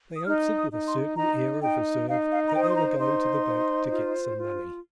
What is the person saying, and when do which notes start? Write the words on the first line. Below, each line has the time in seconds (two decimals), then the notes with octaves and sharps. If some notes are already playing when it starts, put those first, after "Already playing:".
They answered with a certain air of reserve that they were going to the bank to get some money.
0.17 D#6
0.26 D#4 F6
0.57 D#6
0.72 D#4
0.87 C6
1.17 D#4 A#5
1.63 D#4 G5
2.09 D#4 F5
2.32 F5
2.46 A#5
2.54 C5 G5
2.63 D#6
2.71 C6
2.77 A#5
3.00 D#4 C6
3.46 C5
3.92 F4
4.38 F4